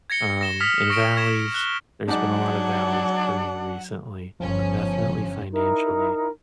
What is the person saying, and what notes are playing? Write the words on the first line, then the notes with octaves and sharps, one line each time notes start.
um, and valleys, there's been a lot of valleys for me recently, definitely financially.
G#6 A#6 C#7 G7
A#6 E7 G7
D#6 F6 G#6 B6 F7
C#6 A#6 C#7 D7 E7
C#6 G#6 B6 E7
F#6 G7
G#2 F#3 D4 D5 F#5
G1 F3 C#4
D#4 E4 A#4